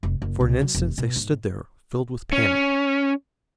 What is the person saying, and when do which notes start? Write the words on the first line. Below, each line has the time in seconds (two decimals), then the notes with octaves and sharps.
For an instant they stood there, filled with panic.
0.03 F1
0.22 F#1
0.41 C2
0.61 F#3
0.74 E1
0.98 B2
1.16 G#2
2.33 C#4